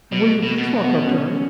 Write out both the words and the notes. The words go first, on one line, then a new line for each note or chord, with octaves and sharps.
"And will you please walk up to her?"
B2
B2
B2
B3
C#4